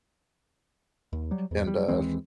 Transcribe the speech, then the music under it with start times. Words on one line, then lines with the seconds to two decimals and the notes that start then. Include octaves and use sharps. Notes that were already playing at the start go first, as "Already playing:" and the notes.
and, uh, f
1.13 D#2
1.31 F#3 G3
1.51 E2
1.67 G3
1.88 D#2 E3 G#3 C4